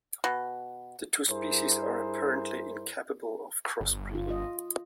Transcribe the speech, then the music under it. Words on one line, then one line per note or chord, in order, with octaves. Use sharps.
The two species are apparently incapable of crossbreeding.
B2
G2 E4 G#4 A#4 C5
G1
F4
F4 D#5